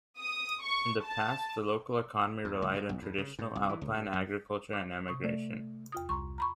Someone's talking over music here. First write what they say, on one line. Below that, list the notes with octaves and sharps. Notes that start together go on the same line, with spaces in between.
In the past, the local economy relied on traditional alpine agriculture and emigration.
D#6
C#6
A5
E2
C#2
G#2
B1
E2
C#3
G#2
C2
E3
C#2
G2
F#2
D6
C3 C#6
A3 D5
E2 F4 D#6
C2 A#5 C6 C#6
A#5 B5 C#6